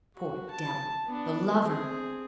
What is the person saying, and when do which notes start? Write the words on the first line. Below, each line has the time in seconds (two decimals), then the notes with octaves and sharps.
Poor devil--the lover!
0.16 F#4
0.50 A5
1.06 B3 D4
1.63 C4 G#4